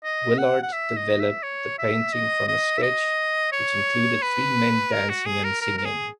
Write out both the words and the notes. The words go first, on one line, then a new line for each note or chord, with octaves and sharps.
Willard developed the painting from a sketch, which included three men dancing and singing.
D#5
F#5
F#5
E5
D#5
E5
C#5
E5
D#5
D#5
E5
D#5
C#5
B4
A#4
F#4
G#4
A#4
A#4
A#4
G#4